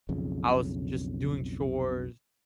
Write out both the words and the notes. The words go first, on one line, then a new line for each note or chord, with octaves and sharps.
I was just doing chores
B1 F2 C#3